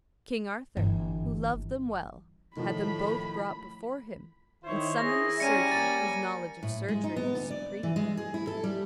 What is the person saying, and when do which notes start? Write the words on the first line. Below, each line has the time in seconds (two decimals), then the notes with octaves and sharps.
King Arthur, who loved them well, had them both brought before him, and summoned a surgeon whose knowledge of surgery was supreme.
0.77 G1 E3
2.57 A2 D#3 F3 B5
4.64 D#3 E4 C5 C#5
4.98 G#4 A#6
5.40 G3 C#4 G#5 A#5 C#7 D#7
5.71 A#3 A6
6.63 A2
6.88 G#3
7.04 D#4
7.16 B3
7.35 D2
7.50 D5
7.83 E3
7.96 G#3
8.17 G#4
8.34 E4
8.47 A4
8.64 G3